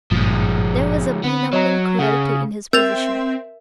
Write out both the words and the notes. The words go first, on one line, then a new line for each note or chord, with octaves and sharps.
There was a benumbing cruelty in his position.
G#1 G2 A#2 F3 G#3
D3 B3 B4
F#3 C#5 D#5 A#5
C#3 G#4 F#5
C4 A#4 E5 G6 A6 F7